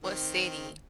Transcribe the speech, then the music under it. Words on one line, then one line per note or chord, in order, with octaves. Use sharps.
What city?
D#3 C4